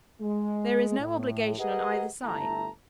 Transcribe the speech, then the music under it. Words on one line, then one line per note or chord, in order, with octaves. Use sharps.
There is no obligation on either side.
G#3
A2
G4 G#4 A#4 B4 D#5 F#5
G1 A3 E4 A5 A#5